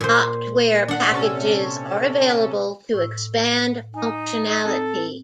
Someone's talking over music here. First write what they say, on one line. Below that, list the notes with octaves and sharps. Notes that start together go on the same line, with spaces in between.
Optware packages are available to expand functionality.
A#2 C5
D4 F#5
C3 C#4 A4
A2 E6
D#4 G#5
C4 A4